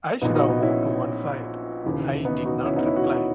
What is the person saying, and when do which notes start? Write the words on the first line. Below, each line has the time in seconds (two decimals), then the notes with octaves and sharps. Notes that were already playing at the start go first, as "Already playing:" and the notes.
I should have moved to one side. I did not reply.
0.21 A#1 A#2 B3 D#4
0.35 D#4 F#4
0.49 B3 D#4
0.62 C#4 E4
1.84 E1 D#2 C#3 E3
2.25 B3 D#4
2.45 D#4 F#4
2.65 C#4 E4
2.76 B3 D#4
2.86 C#4 E4
2.96 F#4
3.04 E4
3.12 D#4